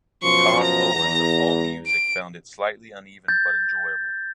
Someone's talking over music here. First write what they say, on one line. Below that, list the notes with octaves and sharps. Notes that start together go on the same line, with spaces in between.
Thom Owens of Allmusic found it "slightly uneven but enjoyable".
F#2 B2 F3 C6 C#6
A#5 A#6
E2
D7
G6 A6